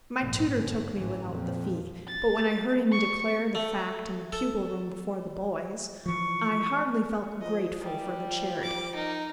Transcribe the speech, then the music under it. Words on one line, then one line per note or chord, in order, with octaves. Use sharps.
My tutor took me without the fee; but when I heard him declare the fact in the pupil-room before the boys, I hardly felt grateful for the charity.
A#1 G#2
G1
A1 E3
F2 A#2
A6
C#6
A3
A4
E3 F3 C#6
F3 D#5
E3 G3
F3
D6
D#4 A#4